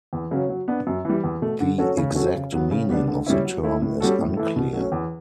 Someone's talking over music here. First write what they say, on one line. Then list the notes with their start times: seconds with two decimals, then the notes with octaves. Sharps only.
The exact meaning of the term is unclear.
0.13 E2
0.31 C#3 F#3 C#4
0.49 F#3
0.68 B3 D4
0.87 F#2
1.05 E3 G3
1.24 E2
1.42 B2 A3
1.60 D3
1.78 F#3 C#4 F#4 A4
1.97 C#3
2.15 F#3 C#4 F#4 A4
2.35 C#3
2.52 F#3 B3
2.71 C#3
2.89 G3 B3 D4
3.08 D3
3.26 G3 C#4 E4
3.45 F#3
3.63 A3 E4
3.82 A2
4.00 G3 C#4 F#4 A4
4.19 A2
4.37 E3 A3 E4 A4
4.56 B2
4.73 F#3 A3 C#4
4.92 E2